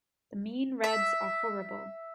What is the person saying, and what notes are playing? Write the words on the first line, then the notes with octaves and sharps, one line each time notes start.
The mean reds are horrible.
E5